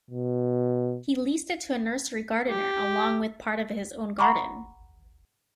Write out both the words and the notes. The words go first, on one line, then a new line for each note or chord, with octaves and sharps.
He leased it to a nursery gardener along with part of his own garden.
B2
G4
F#5 A#5 B5 C#6 D6